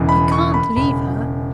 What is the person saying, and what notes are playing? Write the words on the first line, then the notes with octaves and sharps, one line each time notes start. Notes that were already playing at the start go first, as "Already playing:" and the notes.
'I can't leave her.
Already playing: E1 E2 C#3
B5
C#6
B5
E1 C#3 B5